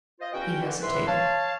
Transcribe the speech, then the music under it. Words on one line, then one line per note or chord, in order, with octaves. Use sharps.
He hesitated.
F4 C5 D#5
E2 C#4 F#4 G5
D3 E3
C2 A2 E3 B4 E5 C6
C#5 F5 A5